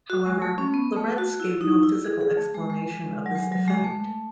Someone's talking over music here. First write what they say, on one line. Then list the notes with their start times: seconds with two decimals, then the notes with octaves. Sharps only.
However, Lorentz gave no physical explanation of this effect.
0.10 F#4
0.26 G#3
0.42 A3
0.58 C#4
0.74 B3
0.96 A3
1.18 F#4
1.40 E4
1.61 D#4
1.83 E4
2.05 G#4
2.21 G#4
2.37 A3
2.54 G#3
2.70 G#3
3.26 F#3
3.35 G#3
3.52 F#3
3.68 G#3
3.84 A3